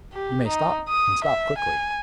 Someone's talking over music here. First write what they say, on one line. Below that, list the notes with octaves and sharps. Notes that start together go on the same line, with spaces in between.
"You may stop, and stop quickly."
G4
D#4
D#6
E5
G#5